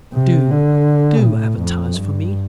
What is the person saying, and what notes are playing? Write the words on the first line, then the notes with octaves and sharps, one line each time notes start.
Do, do advertise for me.
C3
D3
A2
F2
G2